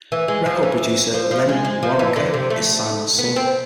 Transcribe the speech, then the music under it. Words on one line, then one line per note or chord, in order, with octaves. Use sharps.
Record producer Lenny Waronker is Simon's son.
E3
G#3
F3
E3
F3
F3
G#3
G#3
F3
E3
D3
C3
A3
B3
C4